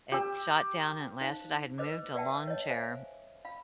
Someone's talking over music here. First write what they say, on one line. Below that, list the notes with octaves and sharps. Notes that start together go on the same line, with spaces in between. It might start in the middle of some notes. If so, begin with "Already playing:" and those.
it shot down and it lasted I had moved a lawn chair,
G4 E6
D#4 C5 F5
B4 C5 D#5 D6
B4 D5 E5 F#5 G5 A5
C#5 D#5
C5 E5 F5 G#5
F5 B5